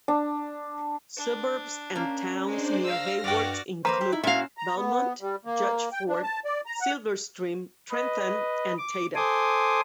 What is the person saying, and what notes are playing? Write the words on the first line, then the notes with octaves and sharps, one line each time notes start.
Suburbs and towns near Haywards include Belmont, Judgeford, Silverstream, Trentham and Taita.
D4
D4
A#3 C#4
G#3 D4 C5 D5
F5 E6 F6 A#6
G2 F#3 F#4 D5 G5
A#3 B3 B4 C5 A#5
G4
D#4 E4
A#2 C#4 E4 F#4 E5 F5
A#5
B3
G3
A#3
G5
D4
A5
D5
A#5
F#5
B4 D#5
D6
A4 C5 G#5 C6 D6 D#6